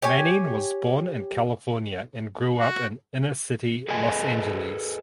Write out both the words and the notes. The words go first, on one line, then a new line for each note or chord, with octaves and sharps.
Manning was born in California and grew up in inner city Los Angeles.
G4 C#5 G#5
F#4
G#4 A4 B4 D#5 G#5